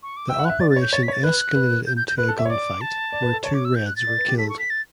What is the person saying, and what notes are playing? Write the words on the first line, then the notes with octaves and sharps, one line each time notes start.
The operation escalated into a gunfight where two Reds were killed.
C#6
D6
G5 E6
E5
F#5
E5 F#6
D5 A6
A6
C#5
G6
C#5 A6
B6
C#5
A6
B4 F#6
B4
G6
G6
G6
B4 F#6
A4
E5
C#5
D5 D6
A5
D5
B4
A4
C#5 A5
D6
E6
G6
F#6
A6
D5
B4
G4
A4 B6
C#6
B6
A6